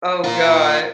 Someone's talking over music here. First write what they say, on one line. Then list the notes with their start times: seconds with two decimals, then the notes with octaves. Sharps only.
Oh, god.
0.24 F4 A#4